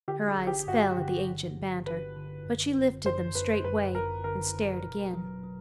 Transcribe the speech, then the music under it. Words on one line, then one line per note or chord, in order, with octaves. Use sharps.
Her eyes fell at the ancient banter, but she lifted them straightway and stared again.
D3 G4
G#4
G1
G4
G2 F#4
D3
D3
G1
G1 B4
D3
F#2
G1
F#2 C5
F#2 B4
F#2 B4
G1 A#4
D3 A#4
G1
B2
F#3
F#3